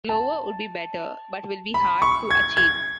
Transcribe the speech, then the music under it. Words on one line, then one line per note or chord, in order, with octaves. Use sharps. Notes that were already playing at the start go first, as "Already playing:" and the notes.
Lower would be better but will be hard to achieve.
A5
B5
C#6
G#6
G#6